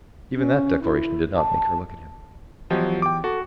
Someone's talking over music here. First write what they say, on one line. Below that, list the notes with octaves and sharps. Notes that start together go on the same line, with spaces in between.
Even that declaration did not make her look at him.
C#4
E4
A5
E2 F3 F#3 G4 D#5
G5 D6
F#4 A4